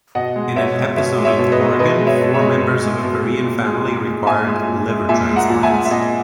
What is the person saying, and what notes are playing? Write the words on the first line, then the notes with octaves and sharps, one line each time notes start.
In an episode in Oregon, four members of a Korean family required liver transplants.
B2 D#5 F#5
G#3
B2 C#5 E5
G#3
B2 C#5 E5
G#3
C#5 E5
B2
B4 D#5
G#3
B2 B4 D#5
G#3
C#5 E5
B2
C#5 E5
G#3
B2
G#3
B2
G#3
A#2
G#3
A#2
G#3
A#2 E5 G#5
G#3
A#2
G#3
A#2 E5 G#5
G#3
F#5 A#5
A#2
E5 G#5
G#3
E5
A#2 D#5 F#5